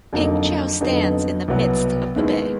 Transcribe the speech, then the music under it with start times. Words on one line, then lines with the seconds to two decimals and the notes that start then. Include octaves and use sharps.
Ping Chau stands in the midst of the bay.
0.13 F2 D3 F#3 A#3 D#4
0.81 F2 D3 F#3 B3 D#4
1.48 C2 B2 F#3 B3
2.16 D#2 D#3 G#3 B3 E4